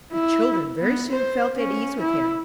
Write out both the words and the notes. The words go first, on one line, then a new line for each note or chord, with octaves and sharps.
The children very soon felt at ease with him.
E4
B3
C5
C#4
E4